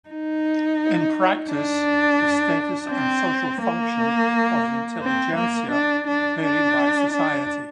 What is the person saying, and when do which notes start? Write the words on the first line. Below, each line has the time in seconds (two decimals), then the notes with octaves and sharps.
In practice, the status and social function of the intelligentsia varied by society.
0.09 D#4
1.51 D4
2.90 C4
3.61 A#3
5.01 C4
5.36 A#3
5.71 D4
6.07 D4
6.42 D4
7.13 D4